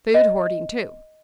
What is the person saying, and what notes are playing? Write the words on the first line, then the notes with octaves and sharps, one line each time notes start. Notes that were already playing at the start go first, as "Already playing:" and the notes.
Food hoarding, too.
D#5